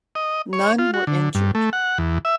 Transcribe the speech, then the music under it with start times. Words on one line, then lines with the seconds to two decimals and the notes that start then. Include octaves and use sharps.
None were injured.
0.15 D#5
0.53 C#5
0.79 F4
0.94 F#4
1.07 D3
1.35 G2
1.55 A3
1.73 F#5
1.98 E2
2.25 E5